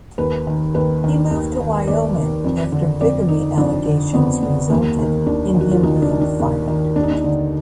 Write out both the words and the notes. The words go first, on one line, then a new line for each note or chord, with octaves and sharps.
He moved to Wyoming after bigamy allegations resulted in him being fired.
D#2 B4
D#3
D#2 B4
D#3
D#2
D#3
D#2 D5
D#3
F2
D3
F2 D5
D3 D#4
F2 D4
D3
F2 B3
D3 B3
D#2 A#3
D#3
D#2 D4
D#3
F#4
F4
D#2 D#4
D4
D#3
D4
D#2
D#3
D#2 D4
D#4
D4
D3